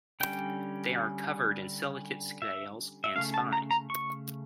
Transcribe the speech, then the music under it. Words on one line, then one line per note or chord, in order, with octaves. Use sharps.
They are covered in silicate scales and spines.
D3 G3 C#4 G5
E5
E5
C#3 F3 A3 C#4 F5
A5
A#5
A#5
C#6